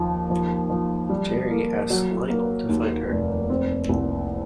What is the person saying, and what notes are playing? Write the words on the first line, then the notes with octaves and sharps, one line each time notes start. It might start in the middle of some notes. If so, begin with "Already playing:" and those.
Jerry asks Lionel to find her.
Already playing: D#2 F3
F3
F3
G3
A#3
F#3
A#3
D#2
F1
C4
C2